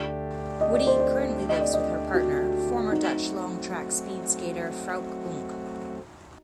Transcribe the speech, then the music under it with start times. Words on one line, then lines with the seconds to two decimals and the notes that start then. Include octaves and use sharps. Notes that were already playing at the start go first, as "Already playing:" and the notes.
Witty currently lives with her partner, former Dutch long track speed skater Frouke Oonk.
Already playing: D2 D3 A3 D4 G4 D5
0.61 D#5
0.73 D5
0.87 C5
1.00 D5
1.49 D#5
1.61 D5
1.73 D#5
2.14 F#4
2.91 F#3 A3 C4 D#4 F#4